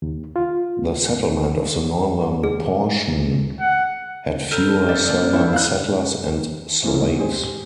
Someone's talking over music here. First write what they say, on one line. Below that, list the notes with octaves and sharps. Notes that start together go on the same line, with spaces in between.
The settlement of the northern portion had fewer Southern settlers and slaves.
D#2
F4
G#4
F#5
A4 A#5 B5 F6 G6
D5 E5
A#3 B3 D4 F5
B3 D4 E4 A4
E4 F5 F#6
C3 E3 G#3 A#3 C#4
E2 G#2
G#3 G4 G#4 C5